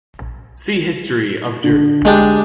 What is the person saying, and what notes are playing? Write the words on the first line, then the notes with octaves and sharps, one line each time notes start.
See History of Jersey.
D3
G#3 D4 G4